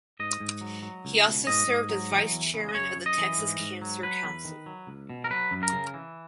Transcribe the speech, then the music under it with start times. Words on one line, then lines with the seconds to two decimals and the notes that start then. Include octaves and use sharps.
He also served as vice chairman of the Texas Cancer Council.
0.20 G#2 D#5
0.40 G#2
0.61 F#3
0.82 F#3
1.05 C#2
1.26 B2
1.47 G#2 D#5
1.68 G#2
1.89 F#3
2.11 E3
2.32 E2
2.54 C#3
2.69 D#5
2.74 F#2 C#5
2.97 F#2
3.06 D#5
3.18 E3
3.38 G#2
3.60 G#2
3.82 F#3
4.03 F#3 B4
4.24 E2
4.45 D#3
4.66 F#3
4.87 C#2
5.10 B2
5.24 A#4
5.30 F#3 B4
5.51 F#2
5.63 A#4
5.73 C#3
5.94 E3